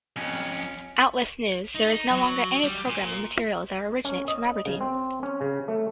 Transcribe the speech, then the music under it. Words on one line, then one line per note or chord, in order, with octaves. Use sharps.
Outwith news, there is no longer any programming material that originates from Aberdeen.
F2 C#4
D#4
F#3
G3
A#2
C#4
D#5
C#3
C4
C#4
C#3
A3